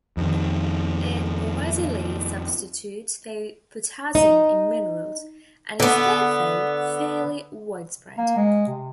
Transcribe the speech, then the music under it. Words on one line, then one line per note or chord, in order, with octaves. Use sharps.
It readily substitutes for potassium in minerals, and is therefore fairly widespread.
F2 D#3
D#4
D3 B3
A#3
G#3
C3